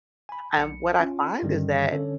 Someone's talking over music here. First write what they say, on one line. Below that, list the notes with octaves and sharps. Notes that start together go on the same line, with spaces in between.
Um, what I find is that,
G#5 B5
B1 C#7
C#4 F4 G#5
G2 D3 D#3 G3 C#4
D3 C#4 A4 C#5